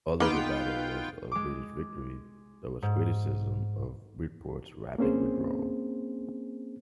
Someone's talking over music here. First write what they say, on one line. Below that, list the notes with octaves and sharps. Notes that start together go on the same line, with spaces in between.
Although the battle was a British victory, there was criticism of Bridport's rapid withdrawal.
A#3 B3 D#4 F4 B4 G5
G#3 D6
G#2
A#3 C4 C#4 G#4 C5